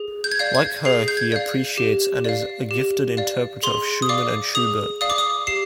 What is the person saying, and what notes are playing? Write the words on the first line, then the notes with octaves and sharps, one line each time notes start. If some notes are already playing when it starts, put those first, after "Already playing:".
Like her, he appreciates and is a gifted interpreter of Schumann and Schubert.
Already playing: G#4
G6
G#6
D5 F5 G6
G#6
G#4 C7
G6
G#6
D5 F5
G4
D5 F5
G4
D5 F5
G#4 C6
D#6
D5 F5 D6
G#4 D#6
D5 F5 D#6
D6
D#6
G4 C7